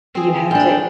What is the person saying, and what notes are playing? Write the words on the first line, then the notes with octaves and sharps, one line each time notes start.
You have to
C4 G#4
F#2 D4 G5 G#5